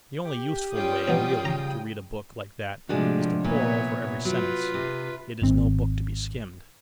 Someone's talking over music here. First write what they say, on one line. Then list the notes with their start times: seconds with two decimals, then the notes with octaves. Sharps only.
The only useful way really to read a book like that is to pore over every sentence: it is no book to be skimmed.
0.25 G4
0.74 G3 C#4 F4 G5 D#6
1.08 B2 F#3 C4
1.45 C#3 A#5
2.89 A2 C3 F3 G#3 D4 F#4
3.44 A#2 B3 E4 C#5
4.25 F#3 F4 B4
4.74 C3
5.42 G#1 C4